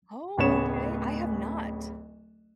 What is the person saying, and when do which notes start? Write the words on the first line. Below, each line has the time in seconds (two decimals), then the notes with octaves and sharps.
Oh, okay. I have not.
0.37 D1 A1 C#3 B3 C#5 E7